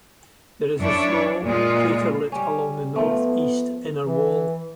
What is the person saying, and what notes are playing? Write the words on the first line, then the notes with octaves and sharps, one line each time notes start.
There is a small craterlet along the northeast inner wall.
F#2 D4 E4 C#5
A#2 G#3 F4
G3 C#4
F3 A3 B3
E3